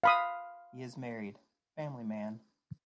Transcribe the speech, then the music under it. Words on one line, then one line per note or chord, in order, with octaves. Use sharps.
He is a married, family man.
F5 B5 D#6